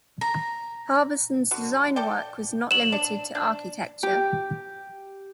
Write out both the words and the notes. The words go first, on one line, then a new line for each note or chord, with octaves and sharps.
Harbeson's design work was not limited to architecture.
A#5
D3 F#4
A4 D5 G5
F#3 E7 F#7
D4
D4
G4